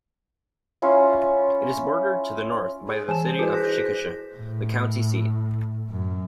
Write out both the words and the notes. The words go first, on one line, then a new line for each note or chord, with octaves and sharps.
It is bordered to the north by the city of Chickasha, the county seat.
C#4 E4 F4
G#4
E3 G#5 A5 E7
C5
E4 F#4 G#4 B4
F#6 A#6 B6
A2
F#2